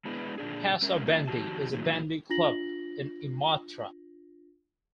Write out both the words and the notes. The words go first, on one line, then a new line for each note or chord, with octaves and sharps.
PaSa Bandy is a bandy club in Imatra.
G#3 B3 D4 E4 G#4 B4
A#2 D3 D4 G#4
G#3 C#4 A#4 E5
E3 A#3 C#4 D4 F4
F2 G#2 D#3 F#4 G4 A5
A#2 D#3 F#3
D4 F4 A#6 F#7